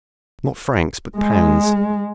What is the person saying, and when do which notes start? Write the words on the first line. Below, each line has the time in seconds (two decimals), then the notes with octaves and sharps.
Not francs, but pounds!
1.18 G#3